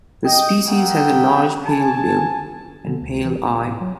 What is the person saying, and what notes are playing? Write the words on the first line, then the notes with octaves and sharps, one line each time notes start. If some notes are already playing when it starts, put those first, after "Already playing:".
The species has a large pale bill, and pale eye.
D#5 G5
A3 A#3 G#4 F#5 G5
G#5 A5
D3
D2
C#2
E3
E1
F#1
A2
F#3